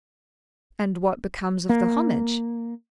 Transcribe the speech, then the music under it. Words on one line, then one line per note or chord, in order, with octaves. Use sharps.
'And what becomes of the homage?'
A#3